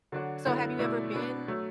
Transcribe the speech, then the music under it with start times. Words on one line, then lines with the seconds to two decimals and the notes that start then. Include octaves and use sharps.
So have you ever been
0.12 D3 F#3 D4 F#4
0.45 F#2 D3 B3 E4
0.79 B2 A3 E4 D5
1.13 B2 B3 D4
1.48 F#3 A3